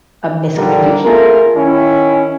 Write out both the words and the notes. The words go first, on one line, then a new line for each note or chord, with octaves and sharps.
a miscommunication
A#1 D3 D#3 G3 A#3 A#4
A3 F4 G#4 A#4
D#3 C#4 E4